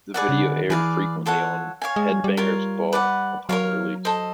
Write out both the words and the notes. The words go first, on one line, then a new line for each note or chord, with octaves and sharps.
The video aired frequently on "Headbangers Ball" upon release.
G#4 B4 D5 F#5
C#3
D3
D#3
E3 G#4 B4 D5 F5
F4 A4 C#5 F#5
C#5 F5 G#5
G#3
G3
G3
F4 A#4 C#5
B4 D5 F#5
F#3 A#4 C#5 F5
A4 C5 D#5